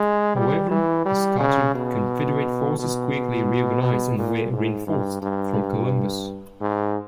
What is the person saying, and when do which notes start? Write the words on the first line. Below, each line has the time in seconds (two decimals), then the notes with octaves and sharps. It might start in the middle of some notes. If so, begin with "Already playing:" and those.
However, the scattered Confederate forces quickly reorganized and were reinforced from Columbus.
Already playing: G#3
0.36 G3
0.71 E3
1.05 G3
1.40 C#3
1.75 B2
2.79 B2
3.83 B2
4.18 A#2
4.53 G#2
4.87 G2
5.22 G2
6.61 G#2